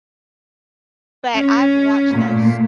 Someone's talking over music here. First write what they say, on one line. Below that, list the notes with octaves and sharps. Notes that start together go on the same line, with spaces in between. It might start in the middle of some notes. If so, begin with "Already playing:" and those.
But I've watched those
C#4
A#2 A3